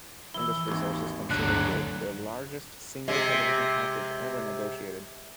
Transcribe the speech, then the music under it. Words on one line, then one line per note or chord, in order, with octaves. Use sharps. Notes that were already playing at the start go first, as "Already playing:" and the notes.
Industry sources considered it the largest single television package ever negotiated.
E3 E4 E6 G7
G#1 D#2
G1 D2 D3 F#3 F#6
C3 G#3